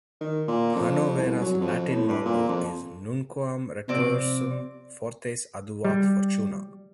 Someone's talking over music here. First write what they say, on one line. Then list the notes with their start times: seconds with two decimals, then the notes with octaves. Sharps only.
Hannovera's Latin motto is Nunquam retrorsum, fortes adiuvat fortuna!
0.21 D#3
0.48 A#2
0.75 F2
1.17 C2
1.41 F#3
1.60 F2
1.90 A2
2.08 G2
2.25 A#2
2.48 F2
3.88 F2 C3 C4 D5
5.85 G3